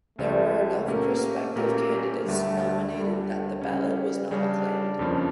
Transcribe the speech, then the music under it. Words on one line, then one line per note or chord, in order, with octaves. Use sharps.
There were enough prospective candidates nominated that the ballot was not acclaimed.
C#2 C#3 F3 A3 C#4
A#2 A3 A#3 C#4 G4 A#4
A#2 A3 A#3 C#4 G4 A#4
D2 D3 G3 A3
D2 D3 G3
C#3 G3 C#4
C#3 G3 C#4 D4
F2 C#3 F3 A#3 C#4